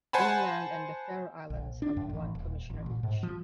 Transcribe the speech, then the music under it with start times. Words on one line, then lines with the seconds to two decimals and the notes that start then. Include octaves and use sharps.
Greenland and the Faroe Islands have one Commissioner each.
0.13 C5 F#5 G#5 A5 B5
1.50 A#1
1.82 D4
1.97 F#2
2.10 A1
2.35 D#1
2.70 A1
2.86 A#2
3.03 G#2
3.23 F3